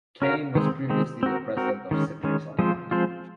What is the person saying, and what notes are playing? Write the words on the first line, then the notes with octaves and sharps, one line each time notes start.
Caine was previously the president of Citrix Online.
C#4 F#4 A#4 F5
D#3 G#3 C4
D#3 G#3 C4
C4 F#4 A#4
C4 F#4 A#4
D#3 G#3 C#4
D#3 G#3 C#4
F3 G#3 C4 F4 C5
F3 G#3 C4 F4 C5